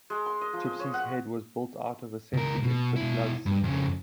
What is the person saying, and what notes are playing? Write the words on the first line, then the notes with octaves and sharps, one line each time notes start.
Gypsy's head was built out of a "Century Infant Love Seat".
G#3
C6
D#5
F3
D#5
C#5
F#5
C#2 A#4
B2
B2 E4
G2
F2 C#3